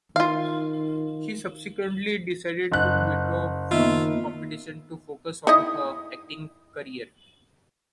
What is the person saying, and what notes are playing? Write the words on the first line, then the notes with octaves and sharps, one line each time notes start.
She subsequently decided to withdraw from competition to focus on her acting career.
D#3 F4 F5
F#1 F#6
D#3 A#3 B3 F4 D#5 E5
D#4 E4 D#5